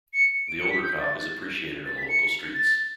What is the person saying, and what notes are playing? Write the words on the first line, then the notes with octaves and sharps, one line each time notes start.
The older cop is appreciated on the local streets.
C#7
D7
C#7
B6
G6
A6
A6
B6
C#7
A6